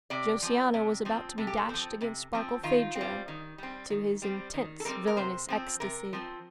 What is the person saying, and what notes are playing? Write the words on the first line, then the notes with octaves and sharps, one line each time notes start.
Josiana was about to be dashed against Barkilphedro, to his intense villainous ecstasy.
C3 D5
F3 C4
C3
F3 C4
C3 A4
G4
A4
F3 C4
C3
F3 C4
D#3 F4
C4
G3
D#3
G3 C4
D#3
G3 C4
D#3
A4
G3 C4 A#4
A#4
C3 C5
F3 C4
C3 A#4
F3 C4